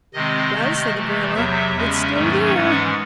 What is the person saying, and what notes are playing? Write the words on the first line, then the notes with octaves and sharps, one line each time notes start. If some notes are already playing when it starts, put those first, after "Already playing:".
"Well," said the gorilla, "it's still there!"
C3 D#3 G#3 C4 D#5
C3 D#3 A3
C3 E3 A3
E2 C3 F#3 E5
E2 C#3 G#3 C#4
G#2 D#3 F#3 A3 C#4
G#2 E3 G#3 C#4 F#5